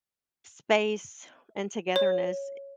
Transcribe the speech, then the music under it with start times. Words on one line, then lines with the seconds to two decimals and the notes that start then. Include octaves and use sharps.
space and togetherness,
1.96 C#5